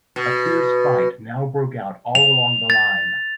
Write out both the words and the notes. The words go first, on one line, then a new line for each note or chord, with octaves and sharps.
A fierce fight now broke out all along the line.
B2
F7
A6